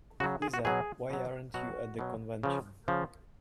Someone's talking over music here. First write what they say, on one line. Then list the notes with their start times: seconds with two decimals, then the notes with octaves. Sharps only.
Lisa, why aren't you at the convention?
0.20 C#3 F#4
0.24 F#3
0.42 G#4
0.54 F#4
0.65 B2 F#3 G#4
1.10 B2 F#3
1.54 B2 F#3 F#4
1.99 B2 F#3
2.43 C#3 F3
2.88 C#3 F3